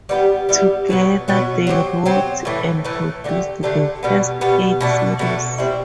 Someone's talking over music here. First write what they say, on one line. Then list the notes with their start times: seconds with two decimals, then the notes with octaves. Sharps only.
Together, they wrote and produced the first eight series.
0.09 G3 B3 E4 G4
0.49 G3 B3 E4 G4
0.88 B2 F#3 B3 F#4
1.28 B2 F#3 B3 F#4
1.67 F#3 C4 G4
2.05 F#3 C4 G4
2.45 A2 E3 A3
2.84 A2 E3 A3
3.24 D3 A3 D4
3.29 G4
3.63 D3 A3 D4 G4
4.03 B2 G3 B3
4.41 B2 G3 B3
4.81 B2 A3 D4
5.19 B2 A3 D4
5.58 B2 G3 C4 E4